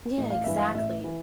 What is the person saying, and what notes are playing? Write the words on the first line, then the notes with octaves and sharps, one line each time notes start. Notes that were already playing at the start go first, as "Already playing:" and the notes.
Yeah, exactly.
A1
F5
G2 E3 E5
F5
A1 E5
E3